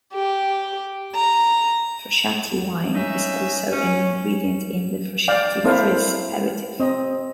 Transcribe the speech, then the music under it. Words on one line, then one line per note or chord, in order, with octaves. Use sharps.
Frascati wine is also an ingredient in the Frascati Frizz aperitif.
G4
A#5
C#4 D#4 E5
C#4
D5 F5 G5
A#3 C4 E4 A4 C5 F5
C4 D#5